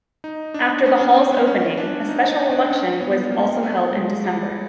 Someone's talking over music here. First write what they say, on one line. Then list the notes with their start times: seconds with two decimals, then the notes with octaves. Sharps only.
After the Hall's opening, a special election was also held in December.
0.24 D#4
0.54 D4
0.86 C#4
1.01 C#4
1.17 C4
1.32 B3
1.47 C#4
1.77 D4
2.09 D#4
2.29 D#4
2.50 D4
2.71 C#4
3.01 B3
3.32 A#3
3.63 A3
3.93 G#3
4.24 G3